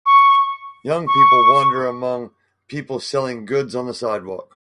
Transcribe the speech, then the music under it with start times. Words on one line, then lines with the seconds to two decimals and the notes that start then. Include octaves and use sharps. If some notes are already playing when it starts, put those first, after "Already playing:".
Young people wander among people selling goods on the sidewalk.
0.06 C#6
1.07 C#6